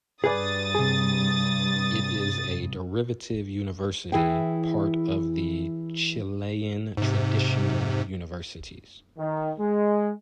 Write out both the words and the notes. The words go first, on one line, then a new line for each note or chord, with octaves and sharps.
It is a derivative university part of the Chilean Traditional Universities.
G2 G#4 B4 D5 D#6 A6
C3 G#4
E3 E4 G#4 G5
G#2 C3
D#3
G#3